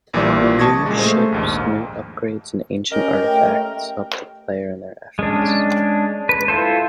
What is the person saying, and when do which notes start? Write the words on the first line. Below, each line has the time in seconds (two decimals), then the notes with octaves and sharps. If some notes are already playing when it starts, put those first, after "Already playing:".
New ships, new upgrades, and ancient artifacts help the player in their efforts.
0.13 A#1 A#2 E3 F3 G3 D5
0.59 A5 C#6 D#6 G#6 A#6
0.86 A#2 C#3 G#3
0.99 A3 C5
1.32 A#1 D#2 G#2
2.92 C#4 G4 A#4 D#5
3.26 A3 G5
5.19 G#3 C#4 D4
6.29 B4
6.48 E4 F4 A4 C5